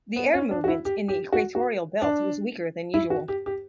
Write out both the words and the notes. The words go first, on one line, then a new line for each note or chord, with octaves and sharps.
The air movement in the equatorial belt was weaker than usual.
B3
C#4
D4
F#4
E4
G4
G4
F#4
F#4
D4
E4
F#4
G4
G4